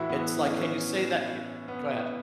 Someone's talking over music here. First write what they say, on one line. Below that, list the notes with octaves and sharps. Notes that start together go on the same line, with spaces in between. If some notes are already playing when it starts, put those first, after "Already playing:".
It's, like, "Can you say that y" go ahead.
Already playing: A2 E3 E4 F#4
B3
C#4
B3